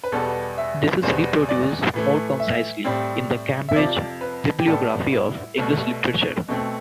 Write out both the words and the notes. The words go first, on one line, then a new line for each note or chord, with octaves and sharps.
This is reproduced more concisely in the "Cambridge Bibliography of English Literature".
B4
E2 B2 G3 B3 A4
E5
E2 B2 G3 B3 C5
D5
A2 E3 A3
E5
A2 G3 C4
E5
F2 C3 F3 D5
B4
G4
A2 G3 B3 A4
E4
C2 B2 A3
B2 A3 C4